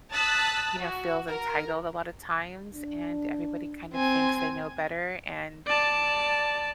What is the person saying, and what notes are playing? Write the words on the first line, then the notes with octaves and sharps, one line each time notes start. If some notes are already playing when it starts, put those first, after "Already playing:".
you know, feels entitled a lotta times, and everybody kind of thinks they know better, and
A5 D#6 E6 F#6 A6 B6
F#4
A#4
D4
C4 G#5
D5 A5